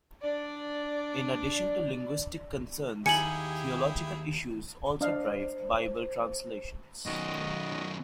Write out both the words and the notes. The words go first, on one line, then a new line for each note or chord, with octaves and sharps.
In addition to linguistic concerns, theological issues also drive Bible translations.
D4 D5
D#2 E4 G4 G#4 G#5 C#7 F#7
D4 C5 D#5 F5
B1 D#3 F#4 D#5